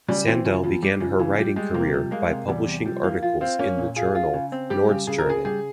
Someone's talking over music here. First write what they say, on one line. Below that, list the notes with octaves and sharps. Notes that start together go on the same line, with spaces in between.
Sandel began her writing career by publishing articles in the journal "Nordstjernan".
C#3 G3
E3 C4
C#3 F3
E2 F3
G3
C#3 F3
C#3 E3
F3 G3
G3 G#3
C3 A#3
F3 G3
G#3 A#3
C3
E2 G3
C3
F3 G3
E3 A#3
F3 F4
C4 F4
A#3 C#4
A#2
F4 G#4
F4
C#3
C4
G3 G4
C#3
C#3 G#4
A#4
C#3 G#4
G3 G#4